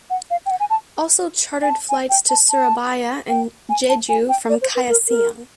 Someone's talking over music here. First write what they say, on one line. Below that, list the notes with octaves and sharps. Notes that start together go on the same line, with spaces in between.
Also chartered flights to Surabaya and Jeju from Kaohsiung.
F#5
F5
G5
F#5
G#5
A5
G#5
A5
G#5
G5
A5
A5
G5
G#5
A5
G#5
G5
D5
C5
B4
A#4
A#4